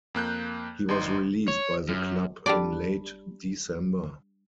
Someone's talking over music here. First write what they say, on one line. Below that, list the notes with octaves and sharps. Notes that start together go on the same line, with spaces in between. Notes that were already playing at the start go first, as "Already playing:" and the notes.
He was released by the club in late December.
F2 A#3 F#6 G6
G#1 D#4 C6
C#5
F#2
G3 D4 D5